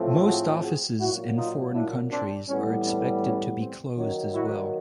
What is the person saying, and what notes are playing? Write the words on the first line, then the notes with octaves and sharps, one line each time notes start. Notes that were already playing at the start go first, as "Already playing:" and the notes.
Most offices in foreign countries are expected to be closed as well.
Already playing: A2 F3 A3 C4
F#4 G#4
F#4 G#4
A#2 F#3 A#3 E4 F#4
D#4 F4
D4 E4
C4 D4
A2 E3 G3 B3 C#4
C4 D4
C#4
C4
D#3 F#3 A#3 C#4
E4 F#4